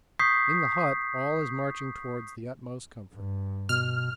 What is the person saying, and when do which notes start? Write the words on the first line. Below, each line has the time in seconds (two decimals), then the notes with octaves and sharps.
In the hut all is marching towards the utmost comfort.
0.19 C#6 D#6 G6 B6 C7
3.13 G2
3.69 B2 F6